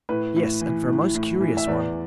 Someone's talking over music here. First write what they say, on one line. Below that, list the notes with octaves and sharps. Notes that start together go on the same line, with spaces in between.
"Yes, and for a most curious one."
A2 B4
A2
E3
A2
A2
E3
E5
E2 D5